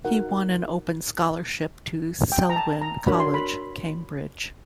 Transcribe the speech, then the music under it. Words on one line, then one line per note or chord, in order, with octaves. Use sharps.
He won an Open Scholarship to Selwyn College, Cambridge.
D#4 F#4 A#4 F#5
G5
A#5
A5
A#5
D4 F#4 A#4 C#5 B5
C6
B5